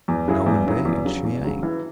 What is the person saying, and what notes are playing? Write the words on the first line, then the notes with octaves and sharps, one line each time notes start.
"No, indeed, she ain't."
E2
C#3 F#3 E4 G#4
E2
C#3 F#3 E4 G#4
E2
C#3 F#3
E2
C#3 F#3
E3